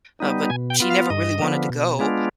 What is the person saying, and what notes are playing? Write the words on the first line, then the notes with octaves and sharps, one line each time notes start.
uh, but she never really wanted to go,
G3 B3 D#4
B2 G#5
G5
B3 F4
F5
G2 D#5
D3 F3 B3
B2
G#3 B3 D4 F4